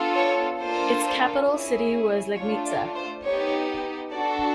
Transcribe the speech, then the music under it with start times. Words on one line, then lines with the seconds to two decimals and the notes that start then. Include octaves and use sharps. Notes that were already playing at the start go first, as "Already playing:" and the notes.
Its capital city was Legnica.
Already playing: B3 D4 F4 A4
0.15 C#5
0.59 A#3 D4 F4 A4 C5
1.48 C#4 E4 G#4
2.35 A3 D4 F4 C#5
2.65 D5
2.94 C5
3.23 B3 D#4 G4 C#5
4.12 D4 F#4 A4 D5